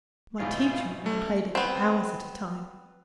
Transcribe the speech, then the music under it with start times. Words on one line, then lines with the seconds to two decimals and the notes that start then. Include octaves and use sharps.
My teacher and I played it for hours at a time.
0.39 A1 G#2 B2 F4
1.06 G3 A3 C#4
1.55 B3 C4